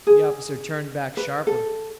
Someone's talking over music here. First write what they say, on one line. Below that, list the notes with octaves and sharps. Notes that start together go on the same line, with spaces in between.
The officer turned back sharply.
G#4
B4
A4